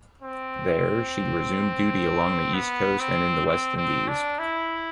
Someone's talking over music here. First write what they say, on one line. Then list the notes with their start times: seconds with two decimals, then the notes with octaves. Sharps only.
There, she resumed duty along the east coast and in the West Indies.
0.22 C4
2.54 B3
3.00 C4
3.46 C4
3.77 C4
4.08 D4
4.39 E4